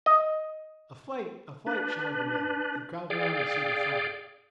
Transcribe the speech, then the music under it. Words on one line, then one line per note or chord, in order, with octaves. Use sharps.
"A fight! a fight!" shouted the men, and crowded around to see the fun.
D#5
D4 B4
G#4 D5 F5 G5